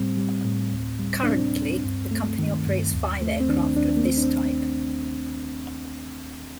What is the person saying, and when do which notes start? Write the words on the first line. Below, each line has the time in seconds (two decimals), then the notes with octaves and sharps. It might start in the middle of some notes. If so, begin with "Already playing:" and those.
Currently, the company operates five aircraft of this type.
Already playing: A2 G3 C4
0.17 G3
0.45 A2
0.72 D2
0.99 G3
1.23 D4
1.28 C3 C4
1.55 D2
1.83 G2
2.11 A3
2.39 D#3
2.67 G2
2.94 D#2
3.21 A3
3.40 C4
3.49 D#3 D4
3.76 D#2 D4
3.97 A#3
4.04 A3 C4
4.18 D4
4.23 C4